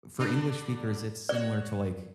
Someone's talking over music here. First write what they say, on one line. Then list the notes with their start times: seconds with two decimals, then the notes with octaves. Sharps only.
for English speakers, it's similar to, like,
0.19 D3 G3 D4
1.29 F#4 C#5 D5